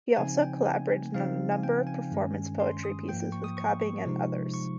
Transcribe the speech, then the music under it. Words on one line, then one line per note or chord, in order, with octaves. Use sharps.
He also collaborated on a number of performance poetry pieces with Cobbing and others.
C#3 F3 C4 D#4 G#5
G5
G#5
C#3 F3 C4 D#4 F5
G#5
G5
G#5
G2 D#3 G#3 C#4
C6
D#6
G#2 F3 A#3 G5
G5
C#6
D#6
C#6
C#6
C3 F3 G#3 D#4
C#6